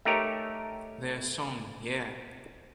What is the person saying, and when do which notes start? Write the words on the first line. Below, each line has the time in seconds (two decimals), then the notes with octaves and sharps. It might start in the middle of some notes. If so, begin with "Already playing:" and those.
Their song Yeah!
0.05 A3 D#4 G4 A#4 C#5